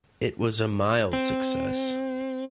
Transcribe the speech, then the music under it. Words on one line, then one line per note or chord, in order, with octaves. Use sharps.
It was a mild success.
C4